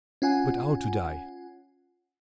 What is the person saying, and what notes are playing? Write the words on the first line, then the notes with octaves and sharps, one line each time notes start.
But how to die?
C#4 F4 F#5 G#5